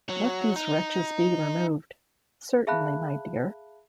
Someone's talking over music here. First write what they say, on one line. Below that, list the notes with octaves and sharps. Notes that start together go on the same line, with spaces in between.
'Let these wretches be removed.’ ‘Certainly, my dear'.
F#3
D#4
G#4 E5 F5 A5 B5 F#6